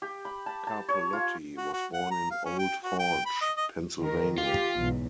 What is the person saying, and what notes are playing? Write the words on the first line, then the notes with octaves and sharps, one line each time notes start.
Carpellotti was born in Old Forge, Pennsylvania.
G4
B5
A5
A5
C#5
F4
F#4
F#4
F#5
A#5
F5
C#4
G5
F#4
G5
B5
D#5
D#5
D#3 A#4
F4 G4
B1 E2 G#2